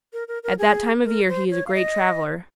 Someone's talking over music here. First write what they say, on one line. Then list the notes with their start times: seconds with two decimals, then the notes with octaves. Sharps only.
At that time of year he is a great traveler.
0.13 A#4
0.28 A#4
0.43 A#4
0.59 G#4
1.05 A#4
1.28 C5
1.51 C#5
1.67 F5
1.74 D#5